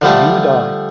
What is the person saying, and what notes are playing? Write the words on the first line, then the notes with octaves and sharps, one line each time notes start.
You and I.
D3 F3 G3 A3